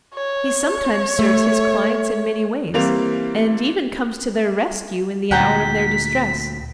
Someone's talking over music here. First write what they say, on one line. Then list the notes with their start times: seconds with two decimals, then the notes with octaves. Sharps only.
He sometimes serves his clients in many ways and even comes to their rescue in the hour of their distress.
0.14 C#5
1.19 A3
2.74 E3 G3 A#3 C4 F7
5.31 D2 A#2 F#5 G5 A#5 B6